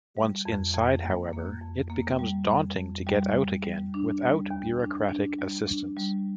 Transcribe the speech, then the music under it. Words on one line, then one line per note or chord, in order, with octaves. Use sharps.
Once inside, however, it becomes daunting to get out again without bureaucratic assistance.
G3
F2
F2
A#3
A#3
F2
A#3
G3
F2
F2
G3
D#2
G3
D4
G3
D#2
D4
D4
G3
D4
G3